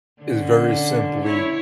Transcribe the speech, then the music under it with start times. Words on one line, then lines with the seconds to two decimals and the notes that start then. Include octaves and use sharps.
is very simply,
0.22 D3 C#4
1.25 E4 C#5